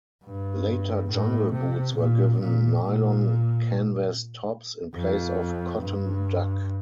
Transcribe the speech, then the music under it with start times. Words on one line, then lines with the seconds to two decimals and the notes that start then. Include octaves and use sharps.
Later Jungle boots were given nylon canvas tops in place of cotton duck.
0.25 G2
1.11 A2
1.53 C3
1.96 A#2
2.40 A#2
2.82 A#2
4.96 F2
5.81 G2